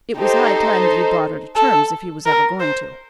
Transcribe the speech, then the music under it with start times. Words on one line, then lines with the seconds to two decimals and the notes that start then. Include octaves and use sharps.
It was high time that he brought her to terms if he was ever going to.
0.17 D#4 G4 A4 C5
1.56 A4
2.26 A#4
2.60 C5